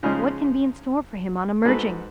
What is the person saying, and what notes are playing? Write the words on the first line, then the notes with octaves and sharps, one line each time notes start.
What can be in store for him on emerging?
C#3 F3 G#3 C#4 D#4
G#2 F#4 A4 B4